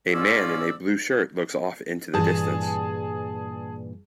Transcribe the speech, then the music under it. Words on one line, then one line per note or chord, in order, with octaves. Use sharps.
A man in a blue shirt looks off into the distance.
G#2 C#4 F4 D5 E6
G2 A#2 E3 G#4 G#5 A5